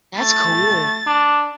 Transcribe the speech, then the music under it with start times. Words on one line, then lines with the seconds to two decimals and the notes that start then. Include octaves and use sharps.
That's cool.
0.20 A3 A6
1.07 D4